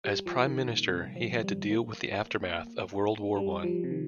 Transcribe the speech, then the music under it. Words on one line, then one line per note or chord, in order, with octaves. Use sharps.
As Prime Minister he had to deal with the aftermath of World War One.
G3
F3
D#3
A#2
C3
F3
G3
A#3
G3
F3
C3
D#3